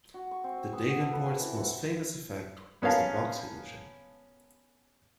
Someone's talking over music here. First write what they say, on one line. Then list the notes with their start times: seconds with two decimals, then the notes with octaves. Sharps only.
The Davenports' most famous effect was the box illusion.
0.14 F#4
0.31 C#6
0.44 C4
0.58 G#5
0.73 B3
0.86 F#4
1.00 A4
1.12 B4
1.26 C4
1.40 E3
1.56 F#5
2.82 B3 C#4 A#4 F5 A5